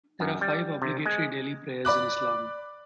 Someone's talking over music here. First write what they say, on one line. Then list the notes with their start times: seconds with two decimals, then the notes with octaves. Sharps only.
There are five obligatory daily prayers in Islam.
0.20 F#2
0.41 G3
0.82 C3
1.06 G#3
1.85 D5 B5 D6 F#6